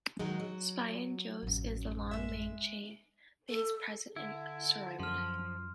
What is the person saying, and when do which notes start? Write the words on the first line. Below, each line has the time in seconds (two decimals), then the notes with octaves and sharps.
Sphingosine is the main long-chain base present in ceramide.
0.19 D#3 F#3 G#3 D#4
0.40 F#3
1.42 A1 F#2
2.11 G#3 E5
3.50 A4
4.16 D3 E4
5.00 F#2 F3 C6 F6